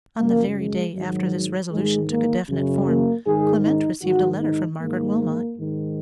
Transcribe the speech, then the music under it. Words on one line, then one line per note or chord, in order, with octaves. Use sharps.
On the very day after this resolution took a definite form, Clement received a letter from Margaret Wilmot.
F#2 C#3 A#3
G#3
G#2 D#3 F#3
G#2 D#3 G#3
A#3
F#2 C#3
A#3
G#2 D#3 G#4
D#4
G#2 D#3 F#4
D#4
G#2 D#3 A#3
G#2 D#3